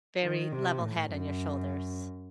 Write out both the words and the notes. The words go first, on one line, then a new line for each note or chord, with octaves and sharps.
very level head on your shoulders.
D#3
C3
A2
F#2